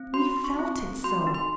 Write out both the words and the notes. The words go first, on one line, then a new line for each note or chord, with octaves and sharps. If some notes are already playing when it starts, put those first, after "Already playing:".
We felt it so!
Already playing: C4
F#4 C6
D#4
C#6
C4
C4
F#4 C6
D#4
C6